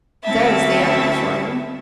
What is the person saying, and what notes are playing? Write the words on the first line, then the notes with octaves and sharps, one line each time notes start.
There's the epoch for you.
D2 C4 C#4 E4 E5 A5